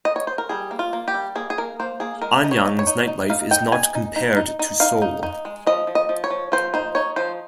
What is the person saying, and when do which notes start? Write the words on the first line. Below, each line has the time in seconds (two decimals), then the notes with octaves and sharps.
Anyang's nightlife is not compared to Seoul.
0.05 D#5
0.16 C#5
0.27 C5
0.38 A#4
0.49 G3 G#4
0.71 A#3
0.79 F4
0.93 A#3
1.08 G4
1.14 G3
1.35 A#3 G#4
1.50 G#4
1.58 A#3 A#4
1.80 A#3 C5
2.00 A#3 G#4
2.22 G#3 A#4
2.44 D#4
2.51 C#5
2.65 D#4
2.79 C#5
2.87 D#4
3.08 D#4
3.30 D#4 F5
3.51 D#4 G5
3.72 D#4 G#5
3.95 D#4
4.16 D#4
4.37 D#4
4.59 D#4
4.80 D#4 F5
5.02 D#4
5.23 D#4
5.45 G#3
5.67 F3 D#5
5.87 F3
5.95 D#5
6.09 F3
6.24 C#5
6.30 F3
6.52 F3 C5
6.74 D#4 C5
6.95 D#4 C#5
7.16 F3 C5